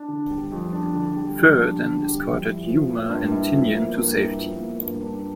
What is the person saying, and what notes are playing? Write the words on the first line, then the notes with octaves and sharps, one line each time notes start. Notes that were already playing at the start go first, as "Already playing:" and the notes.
"Fir" then escorted "Yuma" and "Tinian" to safety.
Already playing: D4
D3
G3
F2
D4
D3
G3
F2
D4
D3
G3
F2
E4
F3
A#3
G2
E4
F3
A#3
G2
E4
F3
A#3
G2
D4